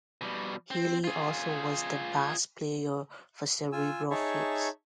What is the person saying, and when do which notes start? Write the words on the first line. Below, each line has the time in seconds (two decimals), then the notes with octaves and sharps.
Healy also was the bass player for Cerebral Fix.
0.21 B2 G3
0.71 C4
1.04 F4 G#4
3.72 F4 G#5 E6
4.11 D#4 G#4 C#5 E5 A5 C#6